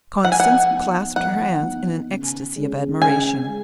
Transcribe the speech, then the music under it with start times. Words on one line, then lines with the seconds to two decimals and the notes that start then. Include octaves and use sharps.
Constance clasped her hands in an ecstasy of admiration.
0.24 F3 F#5
0.32 G#5
0.40 F#5
0.71 B3 D#4
1.16 F3 F#5
1.63 B3 D#4
2.09 C#3
2.56 G#3 C#4
3.01 C#3 G#5
3.48 G#3